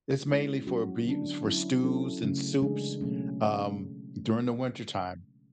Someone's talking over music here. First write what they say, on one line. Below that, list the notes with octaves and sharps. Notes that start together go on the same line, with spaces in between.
is mainly for bee is for stews and soups, um, during the wintertime.
G#3 C#4 E4
F#3 C#4 F#4
D3 F#3 B3 D4
F#3 C#4 E4
F#3 C#4 E4 A4
C#3 F#3 A3 C#4
C#3 E3 G#3 D4 G#4
B2 F#3 A3 C#4